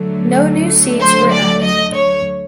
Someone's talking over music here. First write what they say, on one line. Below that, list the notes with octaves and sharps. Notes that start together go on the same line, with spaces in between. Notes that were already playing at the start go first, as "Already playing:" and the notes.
No new seats were added.
Already playing: D2 D3 F#3 A3
C5
D5
D#5
C#5